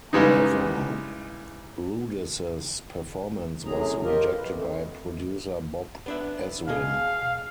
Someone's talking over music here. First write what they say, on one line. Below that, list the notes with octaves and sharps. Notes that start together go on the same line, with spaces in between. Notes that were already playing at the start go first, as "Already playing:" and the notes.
However, Rudess's performance was rejected by producer Bob Ezrin.
C#3 E3 G3 G#3 B3 D#4
F#2 A2 C3 F#3 G#4 A#5
F4 G4 A#4 D#5
B4
D3 E3 A3 C4
B3 D4 E5
B2 G#4 D#5 F5